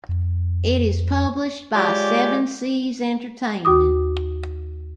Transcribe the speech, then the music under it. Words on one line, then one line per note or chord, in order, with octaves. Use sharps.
It is published by Seven Seas Entertainment.
F2
G#3 F4 G4 C#5 D5
D#2 F#4 D6 D#6